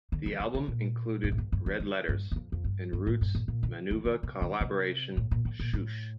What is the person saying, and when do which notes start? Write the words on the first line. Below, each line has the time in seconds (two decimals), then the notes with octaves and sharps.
The album included "Red Letters" and Roots Manuva collaboration, "Shhhoosh".
0.12 D3
0.26 D#3
0.40 D3
0.55 D3
0.68 A#2
1.24 G2
1.32 A2
1.38 G2
1.52 G2
1.66 D#3
1.80 D3
2.09 G2
2.32 G2
2.36 F2
2.52 F2
2.64 G2
2.93 G2
3.07 A2
3.21 G2
3.35 A2
3.48 A#2
3.63 D3
3.91 D#3
4.05 D3
4.23 C3
4.42 D3
4.61 C3
5.17 A2
5.31 A#2
5.45 A2
5.60 A#2
5.73 A2